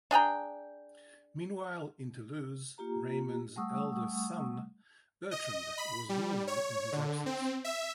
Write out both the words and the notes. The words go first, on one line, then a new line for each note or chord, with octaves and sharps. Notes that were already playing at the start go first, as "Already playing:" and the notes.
Meanwhile in Toulouse, Raymond's elder son Bertrand was ruling in his absence.
D4 G#4 G5 A#5
A#3 F4 G4 A#5
G3 A3 F#5 C#6 D#6 E6
D#5
B5
G3
C#5
D3
C4
E5